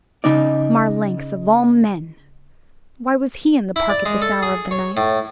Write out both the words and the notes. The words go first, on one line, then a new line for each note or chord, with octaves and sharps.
Marlanx, of all men! Why was he in the park at this hour of the night?
C#3 D#4 D5
E4
D5
G#3
A4
G#4
C#5
A2